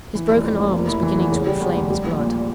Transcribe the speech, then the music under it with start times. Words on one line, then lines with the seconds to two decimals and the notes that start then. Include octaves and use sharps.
His broken arm was beginning to inflame his blood.
0.15 E3
0.29 F1
0.44 F2
0.59 F1
0.73 A#3
0.88 E4
1.03 E3
1.18 E2
1.32 C#3
1.47 G3
1.61 E2
1.76 F1
1.90 G3
2.04 A#1
2.19 A#2